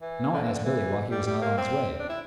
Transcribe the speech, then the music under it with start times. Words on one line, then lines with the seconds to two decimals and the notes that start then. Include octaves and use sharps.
And all asked Billy why he was not on his way.
0.01 E3
0.33 D3
0.43 E3
0.54 D3
0.64 E3
1.11 G3
1.26 G3
1.42 A#3
1.57 C4
1.99 D4
2.10 E4